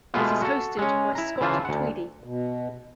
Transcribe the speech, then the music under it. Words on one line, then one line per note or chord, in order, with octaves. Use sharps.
It is hosted by Scott Tweedie.
B2 G#3 A3 B3 F4
F#4 A4
G#3 C#4
E4 A#5
C#3 E3 F4 C5 E5 A5
D2 F#5
B2